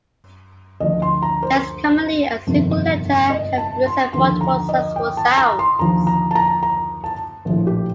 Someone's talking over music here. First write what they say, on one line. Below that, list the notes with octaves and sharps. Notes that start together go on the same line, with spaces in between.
Less commonly, a single letter can represent multiple successive sounds.
D2 D3 F3 D#5
C6
A#5
C5
G1 F2 C3 D#3
D#5
A5
C6
D#2 D3 F3 C6
A#5
D#5
G5
A5
A#5
C6
D#2 D3 F3 A#5
A#5
A5
A#5
A#5
A5
A#1 A2 F3
G4